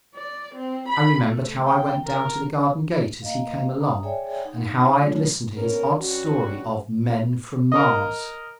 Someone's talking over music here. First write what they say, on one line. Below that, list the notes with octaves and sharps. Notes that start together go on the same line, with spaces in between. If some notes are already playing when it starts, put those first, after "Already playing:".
I remembered how I went down to the garden gate as he came along, and how I had listened to his odd story of "Men from Mars."
D5
C4
B5
A3
G5
A#4
A#3 D#5 F5
A#5 D#6
G#4 C#5 D5 E5 G5 G#5
D#4 F#5
F#3 G#3 A3 F4 C#5
G#2 B3 C#4 A#4
G2 C#4 F#4
A#4 D#5